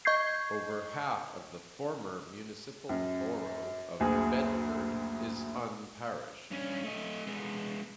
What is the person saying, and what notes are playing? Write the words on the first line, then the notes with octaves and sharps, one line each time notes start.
Over half of the former municipal borough of Bedford is unparished.
D#5 C#6 G6 G#6 C7
F#2
F#1 D2 G#4
G2 C#4
A3 D#5
G#3 B3